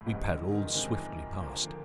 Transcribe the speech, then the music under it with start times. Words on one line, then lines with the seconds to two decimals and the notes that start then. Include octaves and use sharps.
We paddled swiftly past.
0.01 A2
0.06 C#2 G#2 C3 E3 G3 C4
0.28 D3
0.51 D#3
0.64 F3
0.73 C3 D#3 E3 G#3 C4 D#4
1.40 D#2 D3 F3 A#3